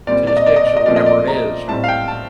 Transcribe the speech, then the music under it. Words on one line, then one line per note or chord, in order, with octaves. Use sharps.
statistics, or whatever it is,
A#2 G3 C4 D5
D5
D#5
D5
D#5
D5
D#5
A#2 F3 A3 C4 D5
D#5
D5
A#5
A2 G3 C4 A5
F5
G5
A5